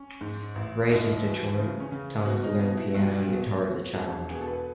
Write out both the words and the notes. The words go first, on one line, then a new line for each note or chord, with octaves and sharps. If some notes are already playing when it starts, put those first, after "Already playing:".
Raised in Detroit, Thomas learned piano and guitar as a child.
Already playing: C#4
G#2
A1
D#2 D#4
E4
D#4
E3
F#4
E4
C#3
C#4
C#3
B2 F#4
D#4
B2 D#4
E4
B1 F#4
B2
B2
E1
B2 G#4
A4
B4